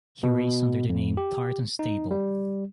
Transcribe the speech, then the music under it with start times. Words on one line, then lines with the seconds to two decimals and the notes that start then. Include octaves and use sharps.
He raced under the name Tartan Stable.
0.23 B2
0.89 F2
1.17 G4
1.79 D#4
2.11 G3